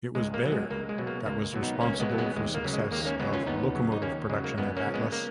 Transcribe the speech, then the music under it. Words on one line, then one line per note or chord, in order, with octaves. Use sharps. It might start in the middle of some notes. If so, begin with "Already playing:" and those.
It was Beyer that was responsible for success of locomotive production at Atlas.
C#2 G#3
A#3
B2 F#3
G#3
C#2 A#3
G#3
B2 F#3
A#3
C#2 A#3
B2 F#3
B3 D#4
C#2 A#3 C#4
G#3 B3
B2 F#3
G#3 B3
D#2 G#3
A#3
C#3 F#3
G#3
D#2 A#3
A#3 C#4
C#3 F#3 G#3 B3
C#4 F4
D#2 B3 D#4
C#3 F#3
D#4
D#2 A#3 C#4
C#3 F#3 G#3
A#3
F#2 G#3 B3
A#3 C#4
C#3 F3
G#3 B3
A#3